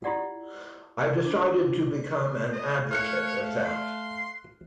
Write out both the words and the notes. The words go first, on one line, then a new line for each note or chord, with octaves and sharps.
I decided to become an advocate of that.
E4 F4 G4 D5 F#5
D4
D#5
A3 C#5 F5 F6 F#6 C#7
C6